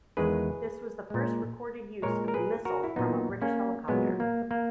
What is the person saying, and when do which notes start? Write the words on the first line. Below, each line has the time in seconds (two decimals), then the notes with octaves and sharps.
This was the first recorded use of the missile from a British helicopter.
0.17 E2 D#3 G#3 G#4 B4
1.10 A#2 G#3
2.02 A#2 G#3 A#4 C#5
2.28 A#4
2.34 G#4 B4
2.65 F#4 A#4
2.84 E4
2.96 A#2 F#3 B3 D#4
3.42 A#3 C#4
3.88 A#2 F#3 G#3 B3
4.20 A#3
4.51 A#3